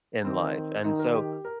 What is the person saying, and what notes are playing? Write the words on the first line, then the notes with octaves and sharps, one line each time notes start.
in life, and so
D#3 C4
D#3 D#4
A#4
G4
A#4